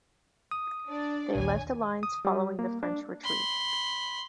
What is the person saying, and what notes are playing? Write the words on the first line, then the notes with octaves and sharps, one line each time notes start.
They left the lines, following the French retreat.
D#6
D4 D5
A#1 D#2 C#5 G#5
D#6
G3
A#3
D4
B5 C6